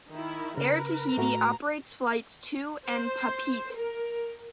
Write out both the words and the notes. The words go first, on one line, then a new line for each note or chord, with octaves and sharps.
Air Tahiti operates flights to and Papeete.
D#3 E4
C#3 A#4 B4
A2 A3 F#4 A#5
C5
A#4